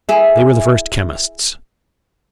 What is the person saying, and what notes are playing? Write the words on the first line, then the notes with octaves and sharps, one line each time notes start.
They were the first chemists.
E4 G#4